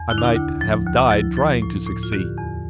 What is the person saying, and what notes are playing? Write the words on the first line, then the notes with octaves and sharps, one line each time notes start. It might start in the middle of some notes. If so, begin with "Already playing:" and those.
I might have died trying to succeed.
Already playing: E2
D3 E4
D4
E4
D2
F3
D2
F3 E4
F3
A2
A2
F4
D3 G4
E2